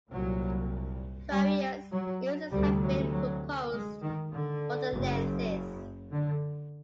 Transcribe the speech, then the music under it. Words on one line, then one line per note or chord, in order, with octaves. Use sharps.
Various uses have been proposed for the lenses.
C2 A#2 F#3
G3
F#3
D2 C3 G3
F#3
F#3
G#3
D#3
D3
F#1 F#2 C#3
D3